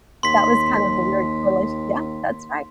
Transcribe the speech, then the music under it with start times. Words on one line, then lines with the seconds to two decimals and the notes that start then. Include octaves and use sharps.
that was kind of a weird push. Yeah, that's right.
0.23 D#2 C6 B6